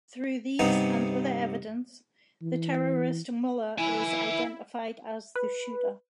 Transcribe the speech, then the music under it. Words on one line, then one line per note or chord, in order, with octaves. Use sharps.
Through these and other evidence, the terrorist Müller was identified as the shooter.
G2 C3 B3 D#4
E3
E4 E5 G#5
B4